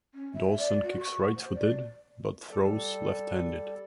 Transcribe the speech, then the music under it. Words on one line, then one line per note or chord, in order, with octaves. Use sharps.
Dawson kicks right-footed but throws left-handed.
C#4
E5
D5
F#4
C#6
F#5
C5
D5
G3 A4 D5